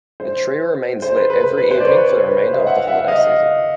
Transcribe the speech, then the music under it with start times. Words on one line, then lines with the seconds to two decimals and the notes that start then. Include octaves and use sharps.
The tree remains lit every evening for the remainder of the holiday season.
0.20 C5
1.02 C5
1.17 B4
1.30 B4
1.43 B4
1.58 B4
1.71 C5
1.80 D5
1.84 B4 C#5
1.98 C5
2.12 C5
2.26 B4
2.40 C5
2.53 D#5 F5
2.67 E5 F#5
2.77 F5
2.87 E5 F#5
3.08 D#5 F5